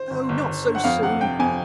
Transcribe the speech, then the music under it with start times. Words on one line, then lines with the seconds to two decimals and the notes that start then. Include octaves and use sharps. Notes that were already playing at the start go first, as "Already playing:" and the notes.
'Oh, not so soon!
Already playing: C5
0.10 G1
0.29 G1
0.48 G1
0.67 D3
0.75 F#5
0.84 F2 F5
1.03 C3 F#5
1.21 C3 G5
1.39 F2 G#5